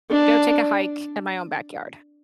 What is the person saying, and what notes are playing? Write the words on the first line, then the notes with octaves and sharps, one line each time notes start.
Go take a hike in my own backyard.
D4